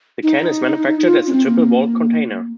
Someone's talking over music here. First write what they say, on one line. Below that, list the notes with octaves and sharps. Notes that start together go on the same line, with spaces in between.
The can is manufactured as a triple-walled container.
D#4
F4
C#4
C4
A#3